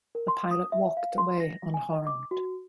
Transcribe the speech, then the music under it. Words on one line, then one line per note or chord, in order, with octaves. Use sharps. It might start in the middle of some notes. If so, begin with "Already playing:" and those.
The pilot walked away unharmed.
A#4
C6
D#6
E5
F5
C6
A#6
G#5
D#5
D6
F#4